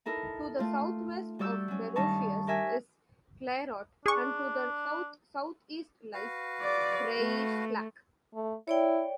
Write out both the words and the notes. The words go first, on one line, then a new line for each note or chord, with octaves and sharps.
To the southwest of Barocius is Clairaut, and to the south-southeast lies Breislak.
D#4 E4 A4 A#4
A3 F4
G3 F#4 D5 E6 G6
F#3 C#4
G2 D#3 G3 D#4 A5 C#6
G4 A#4 E5 G#5
D4 G#4 C#6
F#4 B4 F5
D5
A3
A3
E4 C#5 D5 G5